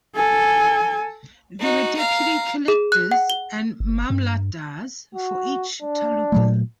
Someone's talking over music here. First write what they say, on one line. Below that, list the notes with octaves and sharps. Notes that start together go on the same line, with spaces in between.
There are Deputy Collectors and Mamlatdars for each Taluka.
A4 G#5
D#4 F#4
F5 A#5
G#4
F#6
F#5
G7
G1
G2
F#4
D4
A#2 F#3 A3